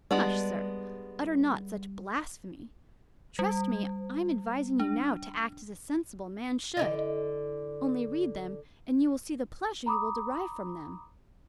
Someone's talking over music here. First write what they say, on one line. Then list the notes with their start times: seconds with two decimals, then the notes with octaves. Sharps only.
Hush, sir; utter not such blasphemy; trust me I am advising you now to act as a sensible man should; only read them, and you will see the pleasure you will derive from them.
0.11 G3 G#3 B3 D4
3.39 G3
4.80 D4
6.77 D3 E4 D#5
9.86 A#5 B5 D6 D#6